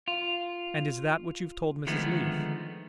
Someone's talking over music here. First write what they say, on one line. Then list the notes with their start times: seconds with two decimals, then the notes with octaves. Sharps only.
"And is THAT what you've told Mrs. Leath?"
0.08 F4
1.87 D3 D#3 F3 G#3 A3 B3